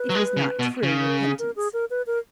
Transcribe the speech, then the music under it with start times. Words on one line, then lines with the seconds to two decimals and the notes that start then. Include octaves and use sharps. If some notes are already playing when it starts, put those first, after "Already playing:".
It was not true repentance.
Already playing: B4
0.10 F#3
0.15 G#3
0.37 C#3
0.59 B2
0.83 C#3
1.05 A#4
1.22 G#4
1.39 A#4
1.56 G#4
1.73 A#4
1.90 B4
2.07 A#4